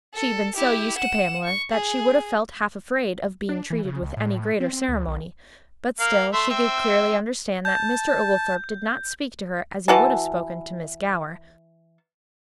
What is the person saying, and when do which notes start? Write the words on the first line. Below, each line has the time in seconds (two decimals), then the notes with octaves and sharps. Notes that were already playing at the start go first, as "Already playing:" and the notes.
She had been so used to Pamela, that she would have felt half afraid of being treated with any greater ceremony; but still she could clearly understand that Mr. Oglethorpe did not speak to her as he would have spoken to Miss Gower.
0.14 A4
0.56 E4 G4
0.98 F#5 E7
1.44 C#6
1.72 G#4
3.49 D4
3.70 E3
3.85 C#3
4.02 C#2
4.17 A2
4.60 C4
4.73 C4
4.88 D2
5.07 B1
6.00 A#3 F5
6.33 A3 C6
6.50 C4 E5
7.65 A5 G6
9.88 E3 F#4 A5